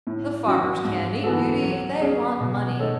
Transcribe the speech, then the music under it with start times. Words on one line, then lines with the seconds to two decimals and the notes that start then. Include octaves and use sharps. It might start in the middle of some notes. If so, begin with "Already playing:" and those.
The farmers can't eat beauty; they want money.
0.07 A2
0.46 F#3 C#4 F#4
0.85 G#2
1.24 E3 B3 F#4 A4
1.62 F#3
2.01 C#4 G#4 C#5
2.41 B2
2.79 A3 D#4 A4 C#5